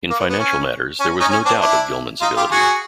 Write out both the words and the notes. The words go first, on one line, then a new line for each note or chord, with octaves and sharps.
In financial matters, there was no doubt of Gilman's ability.
A#3
B3
B3
C#4
C#4
C#4 D#4
C#4
C4 D4
D4 E4
D#4 F4
F4 G4
F#4 G#4